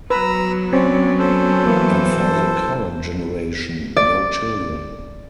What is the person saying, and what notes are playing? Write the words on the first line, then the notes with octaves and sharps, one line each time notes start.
And for the current generation, no children.
F#3 B3 B4 A#5 E6
C4 C#4 D5
A4 C5
E3 A#3
D5